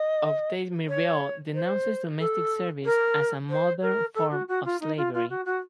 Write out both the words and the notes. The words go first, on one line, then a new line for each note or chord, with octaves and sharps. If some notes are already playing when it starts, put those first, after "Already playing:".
Octave Mirbeau denounces domestic service as a modern form of slavery.
Already playing: D#5
C#5
C5
A4
A#4
C5
A#4
A4
F#4
F#4
F4
D#4
F4
F4
F#4
F#4